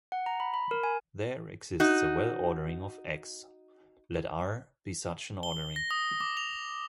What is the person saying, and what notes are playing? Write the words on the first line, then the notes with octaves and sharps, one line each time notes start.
There exists a well-ordering of "X"; let "R" be such an ordering.
F#5
A#5
B5
B5
A#4
G#5
D#4 F#4
G7
A#6
D#6
D6
F7